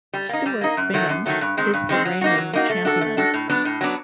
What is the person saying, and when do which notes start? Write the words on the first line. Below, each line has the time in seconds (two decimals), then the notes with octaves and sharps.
Stuart Bingham is the reigning champion.
0.14 G3
0.29 A#3 D#4
0.46 G3
0.61 A#3 D#4
0.77 F#2
0.94 D#3 F#3 A3
1.09 F#2
1.26 D#3 F#3 A3
1.41 G2
1.57 D#3 G#3 C4
1.74 G2
1.89 D#3 G#3 C4
2.05 F#3
2.21 A#3 D#4 F#4
2.38 F#3
2.53 A#3 D#4 F#4
2.70 A3
2.85 D4 F#4 A4
3.01 A3
3.17 D4 F#4 A4
3.34 A2
3.49 F#3 B3 D4
3.65 A2
3.81 F#3 B3 D4